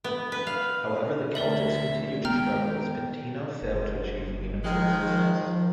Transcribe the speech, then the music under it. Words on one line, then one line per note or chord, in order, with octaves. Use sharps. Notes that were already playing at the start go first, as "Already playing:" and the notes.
However, the Celtics continued to struggle as Pitino failed to achieve meaningful success.
B3
B4
F5
D2 A#4 D5 E5 F#7
D#3 G#3 B3 G5 A#5 F6
F#1
D#3 F3 G#3